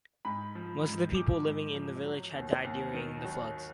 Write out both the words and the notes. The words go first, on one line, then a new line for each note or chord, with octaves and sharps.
Most of the people living in the village had died during the floods.
G#2 B5
F3
G#2
F3 D6
G#2
F3
F#3
D#2
D#2
D#3
F#3